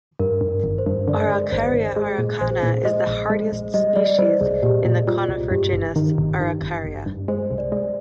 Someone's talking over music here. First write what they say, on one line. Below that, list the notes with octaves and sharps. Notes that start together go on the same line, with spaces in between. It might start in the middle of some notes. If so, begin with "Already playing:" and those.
"Araucaria araucana" is the hardiest species in the conifer genus "Araucaria".
G2 A#4
G2
A#4
G#1
C5
G2
D3 D5
G#3
G#1 C5
G#1
G#3 G#4
A#2 G#4
A#1 C5
A#2
G#3 D#5
A#1
G#3
A#1
G3 D#5
G3 D5
G3 C5
C2 G#4
A#2 G4
A#2
G3 F4
C2
G2 G4
G1
D#3
G1
D#3
G1
G1
G2
G#3 C5
C2
D5
G#3